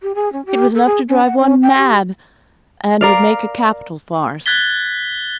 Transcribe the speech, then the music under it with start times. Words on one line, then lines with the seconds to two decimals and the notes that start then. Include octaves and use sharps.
It was enough to drive one mad, and would make a capital farce.
0.02 G4
0.14 G#4
0.32 C#4
0.45 G4
0.74 A4
0.85 G#4
1.08 C#4
1.24 F#5
1.39 C#4
1.62 G5
1.77 G4
3.01 A#4 D5 F5
4.46 F#6 G#6 A6 B6 G7